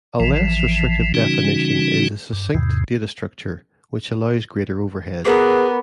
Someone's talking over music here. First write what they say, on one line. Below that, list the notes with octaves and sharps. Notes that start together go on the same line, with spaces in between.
A less restrictive definition is a succinct data structure, which allows greater overhead.
A1 E3 F3
C#3 E3 G3 C#4 D#4 F#4
G2
E2 G#2 C3
B3 G#4 A#4 B4 D6